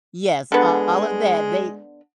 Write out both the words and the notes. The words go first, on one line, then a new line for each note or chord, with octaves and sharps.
yes, all of that, they
D3 G#3 B3